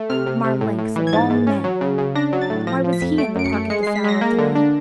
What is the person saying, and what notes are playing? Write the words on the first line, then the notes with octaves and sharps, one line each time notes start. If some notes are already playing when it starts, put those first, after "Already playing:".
Marlanx, of all men! Why was he in the park at this hour of the night?
Already playing: A3
C3 F6
C3
C3
A2
A2
E3
G#6
G#2 A6
G#2
C#4
F#3
C#3
C#3
D4 A#6
F#3
A6
A2
F3 A#6
F3
B6
F2
A3 D7
F#2 D7
C#7
A3
G#3 C#7
C7
G#3
B6
G#3 A#6
A#3
D3
D4